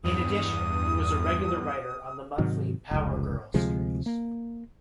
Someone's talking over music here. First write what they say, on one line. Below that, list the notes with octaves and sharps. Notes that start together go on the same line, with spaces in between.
In addition, he was a regular writer on the monthly "Power Girl" series.
E2 G2 D#6
G#2 C3 D#3 F#3
F1 C#2
D2 C3 F3 G#3
A#3